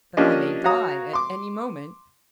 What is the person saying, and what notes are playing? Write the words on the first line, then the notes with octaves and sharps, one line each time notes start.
"But I may die at any moment."
F3 A#3 C#4 D4 G4 D#5
F#4 C#5 F5 A#5 D#6
C6 D6